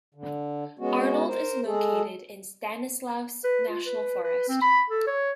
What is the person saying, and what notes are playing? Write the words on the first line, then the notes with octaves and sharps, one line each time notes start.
Arnold is located in Stanislaus National Forest.
D3
G#3 B3 C#4 F#4
A#4 C5
G#3 G#4 A4
B4
F4
B4
B4
C4
B5
A4
C#5